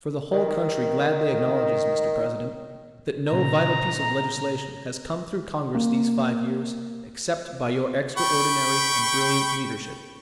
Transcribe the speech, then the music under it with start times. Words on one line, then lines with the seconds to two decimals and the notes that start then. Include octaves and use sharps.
For the whole country gladly acknowledges, Mr. President, that no vital piece of legislation has come through Congress these five years except by your extraordinary and brilliant leadership.
0.32 D#3
0.48 D#3
3.32 A#2 C#3 A#5
5.75 A#3
8.17 G5 B5 C#6